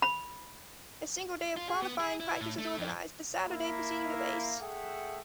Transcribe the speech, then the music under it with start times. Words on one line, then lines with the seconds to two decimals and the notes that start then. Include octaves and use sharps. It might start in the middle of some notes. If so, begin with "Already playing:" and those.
A single day of qualifying practice is organized, the Saturday preceding the race.
0.02 B5
1.57 F4
1.69 G#4
1.82 B3
2.00 G#4
2.20 E4
2.41 A2
2.59 A3
2.78 F2
3.48 A#3 E4
4.60 A3 G#4 A4 E5 F#5 G5